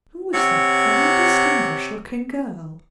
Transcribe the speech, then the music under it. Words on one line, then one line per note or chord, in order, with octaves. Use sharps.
'Who is that fine distinguished-looking girl?
C3 C#5 F#5